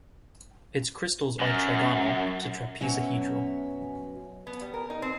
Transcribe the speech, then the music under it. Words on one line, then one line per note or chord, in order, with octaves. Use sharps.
Its crystals are trigonal to trapezohedral.
F#2
F#2 B2 F#3 C#4 E5
B3
G3
A#4
D#4
C4